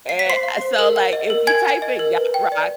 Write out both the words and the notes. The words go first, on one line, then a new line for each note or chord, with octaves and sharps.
And, uh, so, like, if you type in Yacht Rock eh
F5 C7
B6
C5 C6 C7
F5
C5
A#4
F#5
D#5
A#4
A#4 G#5 G#6
F#5
D#5
A#4
B4
G5
D5